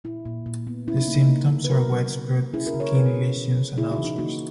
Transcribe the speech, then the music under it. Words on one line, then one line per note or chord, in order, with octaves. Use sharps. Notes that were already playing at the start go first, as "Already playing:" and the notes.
The symptoms are widespread skin lesions and ulcers.
A#2 E4
A#2
A#2
B3
C#4 E4
D#4
A#3
D#4
A#3 E4
C#3
B4
F#3 F#4 A#4
F#3
F#3
A#3
C#4 E4 G#4
F#4 A#4
C#3
A#4 C#5
C#3 G#4 B4
C#4
E3
C#3
C#3 E4 G#4
D#4 F#4
E3
D#4
A#3 D#4 F#4